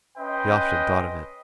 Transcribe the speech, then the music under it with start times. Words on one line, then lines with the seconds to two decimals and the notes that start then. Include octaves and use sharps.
He often thought of it.
0.18 C#4 B4 D#5 G5 C6